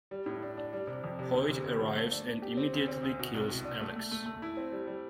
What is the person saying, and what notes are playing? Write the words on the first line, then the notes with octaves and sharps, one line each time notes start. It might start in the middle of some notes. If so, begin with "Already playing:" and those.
Hoyt arrives and immediately kills Alex.
G3
A2
D4
D4
G3
C3
F2
C3
D2
C3
D2
F3
A3
D4
D4
G4
C4
D2
C4
D2
B2
C2
B2
D4
A3
A3
A3
A3
E4
C4
G3
G3